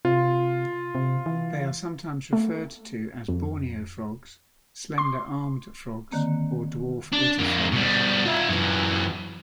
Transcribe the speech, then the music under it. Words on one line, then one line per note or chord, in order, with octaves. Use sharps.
They are sometimes referred to as Borneo frogs, slender-armed frogs, or dwarf litter frogs.
C3 F4
C3
E3
A3
F2
C6
D3 D#3 A#3 C4
D4
F2 A#3
B2 G3
F4 E5
F#2 E3